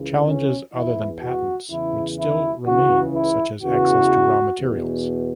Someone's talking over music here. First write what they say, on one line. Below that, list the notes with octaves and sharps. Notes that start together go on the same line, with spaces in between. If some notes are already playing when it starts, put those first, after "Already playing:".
Challenges other than patents would still remain such as access to raw materials.
Already playing: C#2 C#3 E3
C#4
E2 E3 E4
F#4
E2 C#3 E3 E4
E4
C#2 C#3 E3 F#4
E4
E2 C#3 E3 F#4
E2 B2